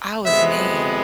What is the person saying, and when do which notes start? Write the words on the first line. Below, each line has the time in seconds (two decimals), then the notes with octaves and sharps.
"I was mean."
0.23 F2 C3 G#3 B3 E5